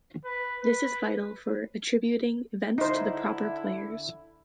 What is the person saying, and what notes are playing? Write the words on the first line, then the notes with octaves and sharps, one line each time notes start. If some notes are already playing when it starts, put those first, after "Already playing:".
This is vital for attributing events to the proper players.
B4
B4
D3 D#4 E4 C5